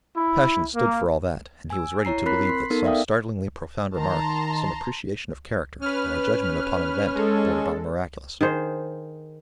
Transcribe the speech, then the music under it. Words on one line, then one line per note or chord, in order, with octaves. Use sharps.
Passion stood for all that, and he was ready to believe that some startlingly profound remark, some appreciation of character, or a judgment upon an event, bordered on the miraculous.
E4
A#3
G#5 E6
E4 C#5 A#5 C7
C4 A#4 B5 F#6 B6 C7
C6 B6 C7
B3 D#4 A4 A#4
D5 E5 F5 G5 D#6
D#3 A5 A#5 C6
C#4 B4 F6
G#3 A4
D#3 G#4 C5